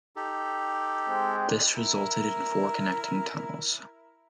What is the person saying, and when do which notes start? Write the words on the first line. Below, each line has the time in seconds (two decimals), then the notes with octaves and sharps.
This resulted in four connecting tunnels.
0.16 D#4 G4 A4
1.07 G#3 C4 G5
1.75 E4 A#4